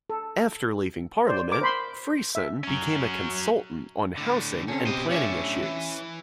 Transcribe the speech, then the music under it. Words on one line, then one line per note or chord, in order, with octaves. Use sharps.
After leaving Parliament, Freeson became a consultant on housing and planning issues.
A4
C5 D5
A#4 D6
C5 B5 C6
E5
F#3 C#4
A2 D3
C#3 C4 C#4
B2 C4 G4 C5 D#5
A2 C#4 D4 C#5 E5
E3